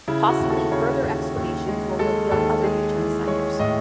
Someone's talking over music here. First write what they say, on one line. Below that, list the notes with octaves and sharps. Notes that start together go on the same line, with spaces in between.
Possibly further excavations will reveal other regional centres.
C#3 E4
F#4
D#2
A4
C#3 C#5
D#2
D#2
G#3
G#3 A4
D#2 A4
G#3 G#4
E3
G#3 C#5
A2 D#5